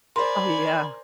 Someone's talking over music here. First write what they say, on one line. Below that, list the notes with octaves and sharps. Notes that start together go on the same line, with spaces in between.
Oh, yeah.
A#4 C5 D5 G#5 B5 C6